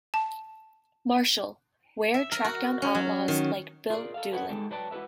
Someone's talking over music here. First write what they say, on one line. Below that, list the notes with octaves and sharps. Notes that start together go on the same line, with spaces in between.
Marshal, where tracked down outlaws like Bill Doolin.
A5
E5
A#4
F#4
C#4
F#3
D#3
F4 G#4 A#4 D5
A4 F5
A4 B4 C#5 D#5 F#5
G#3 D#4 G4 A4
F#3 B4 D5 G5 A5
E4 F#4 A4 B4 E5